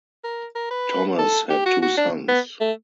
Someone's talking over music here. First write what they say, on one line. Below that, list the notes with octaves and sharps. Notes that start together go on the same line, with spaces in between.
Thomas had two sons.
A#4
A#4
B4
A4
G4
F#4
F#4
D4
B3
A3